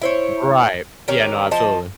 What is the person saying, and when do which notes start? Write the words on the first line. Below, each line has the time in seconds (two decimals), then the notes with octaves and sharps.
Right, yeah, no, absolutely.
0.02 E4 C5 C#5
1.08 D#3 C#4 G4 A#4
1.51 F3 D#5 A5